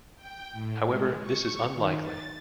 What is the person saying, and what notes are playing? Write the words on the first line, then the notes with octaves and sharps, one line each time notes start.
However this is unlikely.
G5
A2
G#3
C#6
D#3
A6